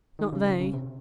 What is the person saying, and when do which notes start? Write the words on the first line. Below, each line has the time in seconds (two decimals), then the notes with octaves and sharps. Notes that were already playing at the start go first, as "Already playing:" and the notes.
Not they!
0.19 D#3
0.33 C#3
0.47 C#3
0.60 C#3
0.73 C3